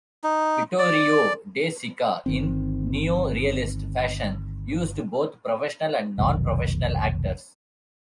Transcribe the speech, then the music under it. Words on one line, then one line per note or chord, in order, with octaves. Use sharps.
Vittorio De Sica, in neo-realist fashion, used both professional and non-professional actors.
D#4
D5
G1 D#3 C4
F1 B1 D#3